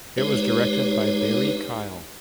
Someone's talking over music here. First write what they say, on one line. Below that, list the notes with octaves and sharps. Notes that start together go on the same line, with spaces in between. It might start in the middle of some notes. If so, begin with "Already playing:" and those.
It was directed by Barry Kyle.
G#3 D#4 G4 B4 C#5